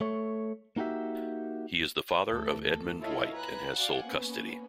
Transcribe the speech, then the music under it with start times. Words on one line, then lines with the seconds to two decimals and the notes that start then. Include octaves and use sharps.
He is the father of Edmund White, and has sole custody.
0.01 A3 C#5
0.76 A#3 D#4 F#4 G4 E5
2.29 D2 E3 A4
2.63 A#3 A4
3.00 E4 F4 A4 C#5 D#5 F5
3.35 B4 G#5 A#5 B5 F#6
3.75 F#4 D5 F5 F#5 G#5
4.07 A#3 B3 C#4